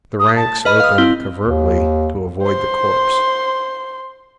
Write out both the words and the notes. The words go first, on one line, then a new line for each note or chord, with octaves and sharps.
The ranks opened covertly to avoid the corpse.
D#6
A5
B4 D#5 B5 F6
F5 D#6
C4 E4 G7
D#2
C5 C6